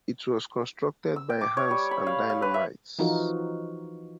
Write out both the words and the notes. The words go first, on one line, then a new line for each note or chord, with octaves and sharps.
It was constructed by hands and dynamites.
E6
G5
D6
C#5
G3
B5
F5
F5
B4
E5
E3 F3 D#4 F4 F#4 A#4